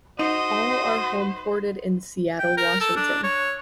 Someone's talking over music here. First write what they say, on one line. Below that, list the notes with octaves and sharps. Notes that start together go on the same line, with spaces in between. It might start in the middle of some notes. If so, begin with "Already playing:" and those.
All are homeported in Seattle, Washington.
D#4 F#4 C5 D#5
G5
A#4
A4
D4
C#5